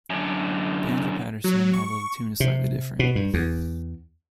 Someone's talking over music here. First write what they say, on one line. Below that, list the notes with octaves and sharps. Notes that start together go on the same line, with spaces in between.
"Banjo" Paterson, although the tune is slightly different.
F#2 D3
F#3
C#6
C3
B2
G2
E2